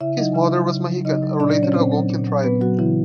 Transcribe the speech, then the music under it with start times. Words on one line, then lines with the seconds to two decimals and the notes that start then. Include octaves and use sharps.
His mother was Mahican, a related Algonquian tribe.
0.01 C#3 E4 E5
0.17 F#3 D#4 D#5
0.35 C#3 E4 E5
0.53 F#3
0.70 C#3
0.88 F#3
1.05 C#3 D#4 D#5
1.23 F#3
1.39 A#2 D4 D5
1.51 D4 D5
1.57 F#3
1.63 C#4 C#5
1.74 A#2 C4 C5
1.92 F#3
2.10 A#2
2.27 F#3
2.43 A#2 B3 B4
2.61 F#3 F#4
2.79 C#3 E3 E4